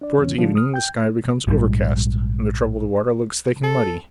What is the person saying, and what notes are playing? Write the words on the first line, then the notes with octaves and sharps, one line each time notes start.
Towards evening the sky becomes overcast and the troubled water looks thick and muddy.
D4 D5
E2 G#2 C#3 E3 C#4
C#3 F3 G3 D4
D#6 F6
G5 G6
A#1 G#2 C3 G3
A4